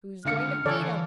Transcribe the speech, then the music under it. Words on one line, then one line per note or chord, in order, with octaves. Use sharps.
Who's going to feed 'em?
C#2 D3 F5 F6 C#7
E3 A4 C#5 D5 G#5